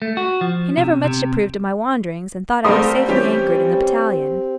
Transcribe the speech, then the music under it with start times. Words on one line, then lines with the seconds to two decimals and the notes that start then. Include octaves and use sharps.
He never much approved of my wanderings, and thought I was safely anchored in the battalion.
0.02 A3
0.17 F#4
0.41 F3
0.77 C3
1.04 C3
2.65 G3 A3 A#3 C4 A#4 C6 D#6
3.09 E3 G3 C#4 G4